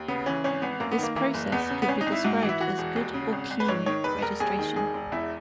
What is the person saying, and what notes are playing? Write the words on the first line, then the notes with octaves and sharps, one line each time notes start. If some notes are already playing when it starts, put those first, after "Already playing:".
This process could be described as good or clean registration.
Already playing: D#2
C#3 B3
E3 C#4
G#1 C#4
G#1 B3
F#2 A#3
B3
D#3 A#3
E3 A#3
F#1
E2 B3
C#3
B3
G#1 C#4
D#4
G#1
E4
G#2 F#4
E3
E4
E3 F#4
E1
D#2
C#3
G#1
G#1
B4
G#2 C#5
D#3 C#5
E1 B4
E1 A#4
D#2 G#4
D#3
E1 G#4
E1
E2 E4